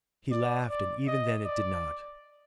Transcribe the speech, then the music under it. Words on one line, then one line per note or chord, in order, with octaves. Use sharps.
He laughed, and even then it did not.
D5
D5
D#5
D5